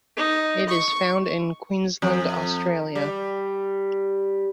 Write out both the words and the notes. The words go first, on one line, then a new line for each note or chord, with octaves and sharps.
It is found in Queensland, Australia.
D#4
C#6
F2
G3